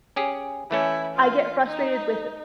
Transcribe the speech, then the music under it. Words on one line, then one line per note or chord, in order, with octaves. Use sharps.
I get frustrated with it
C#4 G4 G#4
E3 A3 C#4 E4
F4
D#4